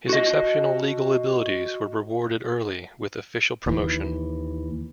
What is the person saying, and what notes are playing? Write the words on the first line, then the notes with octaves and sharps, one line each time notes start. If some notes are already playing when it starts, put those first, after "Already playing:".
His exceptional legal abilities were rewarded early with official promotion.
F#4 D#5
D#2 E3